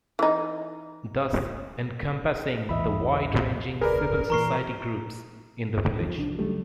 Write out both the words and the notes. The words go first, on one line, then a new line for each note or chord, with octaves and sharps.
Thus encompassing the wide-ranging Civil Society groups in the village.
E3 D#4
A#1 E2 E3 D#5 E5 B5
E1 C#2 G#4 A#4 B4 D5
A#2 E3 A#5 C#6 C7
D1
E2 G2 D#3 F3
C2 F3 D4
C#3 F#3 G3 A3